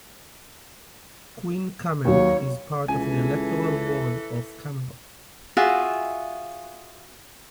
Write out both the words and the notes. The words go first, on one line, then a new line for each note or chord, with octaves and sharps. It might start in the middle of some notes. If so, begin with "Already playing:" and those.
Queen Camel is part of the electoral ward of Camelot.
D#2 F#3 C#5
C#2 E3 A4 G#5
F4 F#4 G#4 E5